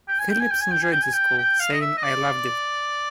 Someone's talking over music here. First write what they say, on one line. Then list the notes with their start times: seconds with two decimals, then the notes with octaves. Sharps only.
Phillips enjoyed the school, saying, I loved it.
0.08 G5
0.19 G#5
0.30 G5
0.40 G#5
0.50 G5
0.61 G#5
0.71 G5
0.82 G#5
0.92 G5
1.02 G#5
1.13 G5
1.38 G5
1.60 F5
1.73 D#5
1.81 E5
1.97 D#5
2.03 D5